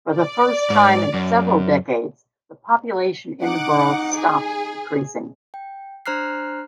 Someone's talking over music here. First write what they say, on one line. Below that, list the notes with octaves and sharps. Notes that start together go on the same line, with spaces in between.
For the first time in several decades the population in the borough stopped decreasing.
D5
G#2
F#2
D#4 F#5 D6
G#4
G5
D4 C5 A#5 F6 F#6 C7